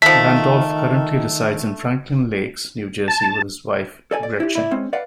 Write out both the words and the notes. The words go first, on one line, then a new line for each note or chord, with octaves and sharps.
Randolph currently resides in Franklin Lakes, New Jersey with his wife Gretchen.
D#3 F3 A3 B6
A5
A4 D5 G#5
D5
E4 G4
E4 D5
G#3 C4 C#4
B4 D5 F5 F#5